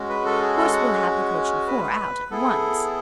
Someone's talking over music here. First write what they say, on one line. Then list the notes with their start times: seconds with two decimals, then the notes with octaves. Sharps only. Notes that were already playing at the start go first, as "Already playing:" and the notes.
Of course we'll have the coach-and-four out, at once.
Already playing: G#3 C#4 F#4
0.09 B4
0.26 A4
0.41 G#4
0.57 A4
0.73 F#5
1.67 B4
2.31 B3 E4 G#4 A4